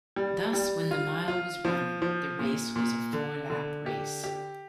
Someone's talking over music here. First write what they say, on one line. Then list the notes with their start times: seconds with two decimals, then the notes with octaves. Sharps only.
Thus when the mile was run, the race was a four lap race.
0.16 G3
0.53 G3
0.91 F4
1.28 F4
1.65 F3
2.02 F3
2.39 A#2
2.76 A#2
3.13 D3
3.50 D3
3.86 G4
4.24 G4